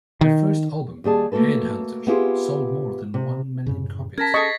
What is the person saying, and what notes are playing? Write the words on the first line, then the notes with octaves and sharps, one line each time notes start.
Their first album, "Head Hunters", sold more than one million copies.
D#3
D#2 G3 G#4 A5
A3 A#3 F#4 A4 B4
B3 C4 E4 F4 G4 G#4
C3
F#2 A2 C#3
C#4 A#4 A5 G#6 A#6 B6
G#4 A4 D#5 C#6 A6 B6 C7